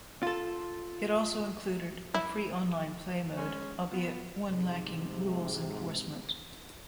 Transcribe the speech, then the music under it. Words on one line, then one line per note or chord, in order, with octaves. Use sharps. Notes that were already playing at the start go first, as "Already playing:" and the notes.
It also included a free online play mode, albeit one lacking rules enforcement.
F4 A4
E4
G#3 C#4
B3 F4
G#2 C3